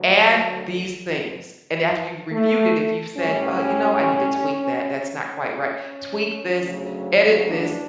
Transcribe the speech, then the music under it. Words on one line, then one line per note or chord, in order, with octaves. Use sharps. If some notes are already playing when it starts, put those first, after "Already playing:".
'Add these things,' and after you've reviewed it, if you've said, 'Uh, you know, I need to tweak that, that's not quite right', tweak this, edit this,
Already playing: D2 D3 F#3
A3
A2 G3 C#4
C#4
D2 C#3 F#3
D4